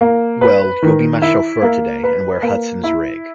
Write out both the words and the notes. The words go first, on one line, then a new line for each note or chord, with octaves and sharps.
Well, you’ll be my chauffeur today and wear Hudson’s rig.
A#3
B4
D#3
E4
A#3
B4
A#3
E4